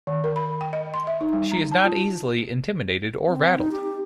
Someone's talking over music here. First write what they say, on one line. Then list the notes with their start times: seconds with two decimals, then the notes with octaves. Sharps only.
She is not easily intimidated or rattled.
0.07 D#3
0.24 A#4
0.36 B5
0.61 G5
0.73 D#5
0.94 C6
1.07 E5
1.21 D#4
1.33 G3
1.52 A#5
1.71 A5
1.84 F4
3.27 C4
3.57 D#4
3.72 G4